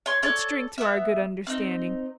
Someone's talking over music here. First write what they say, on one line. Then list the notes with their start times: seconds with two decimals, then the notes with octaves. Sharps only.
Let's drink to our good understanding.
0.06 C#5 C6
0.23 A4 C#5 D5
0.78 B3 E5
1.47 C4 D#4